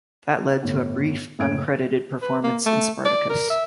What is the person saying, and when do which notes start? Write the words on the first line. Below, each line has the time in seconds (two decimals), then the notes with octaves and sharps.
That led to a brief, uncredited performance in "Spartacus".
0.63 G1 A2
1.39 F#1 A2 G#6 D7
2.22 B4
2.44 A#3
2.66 A3
3.05 D5
3.30 A#4
3.50 E5